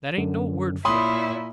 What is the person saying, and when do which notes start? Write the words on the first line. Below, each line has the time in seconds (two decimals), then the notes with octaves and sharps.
'That ain't no word for it.
0.18 F#2 D3
0.85 A#2 E4 C#5 B5 C6 D#6